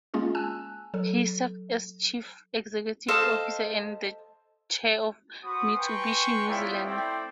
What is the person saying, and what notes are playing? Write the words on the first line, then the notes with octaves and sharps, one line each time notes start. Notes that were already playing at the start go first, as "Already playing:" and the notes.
He served as chief executive officer and then chair of Mitsubishi New Zealand.
G#3 A#3 C#4 F4 G#4
G#5 A5 E6 F#6
F#3 A4
A4 C5 D#5 F5
F#4 C5 B5 C#6 D#6
B4 G5 G#5 A#5 C6 C#6
B3 E4 F4 C#5 D5 G5
A3 C4 E4 D5 G5